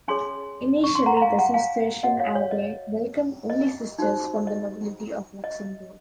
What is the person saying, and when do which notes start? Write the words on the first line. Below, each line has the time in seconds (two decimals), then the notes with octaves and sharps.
Initially, the Cistercian abbey welcomed only sisters from the nobility of Luxembourg.
0.08 C#4 G#4 C#5 G#5 C6
0.84 C#6
0.95 C6
1.06 F#5 A#5
1.17 A#5
1.22 F5 G#5
1.38 F#5 A#5
1.54 F5 G#5
2.03 F#4 D#5 F#5
2.07 C#5
2.20 C#5 F5
2.35 C#5
2.51 D#5
3.50 D#5
3.98 D#4 F#4 C5
4.47 D#5
5.44 D#5